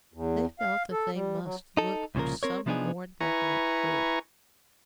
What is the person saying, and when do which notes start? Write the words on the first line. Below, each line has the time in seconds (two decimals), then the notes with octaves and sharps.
They felt that they must look for some more definite clue.
0.14 E2
0.59 F5
0.92 A4
1.13 G3
1.43 F#3
1.77 D#4 A4
2.15 C2 A#2 C#3 F3 A#4
2.43 C4 A#4 C#5
2.66 C3 F3 B3 D4 D#4 G#4
3.21 E4 B4 G#5 A#5 C#6